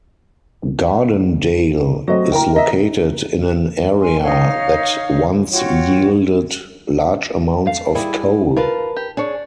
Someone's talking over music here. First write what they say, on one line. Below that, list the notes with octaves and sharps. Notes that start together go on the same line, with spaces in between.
Gardendale is located in an area that once yielded large amounts of coal.
F#3 A3 C4 F#4 D#5
E4 A#4 G5 A#5
D#5 E5
G#5 C6 F6
D#4 C#5 F5 F6
F4 F#4 C#5 G5
A3 F5
G3 E4 G#4
F4 A#4 B4 A5
G4
D4 G#4 C#5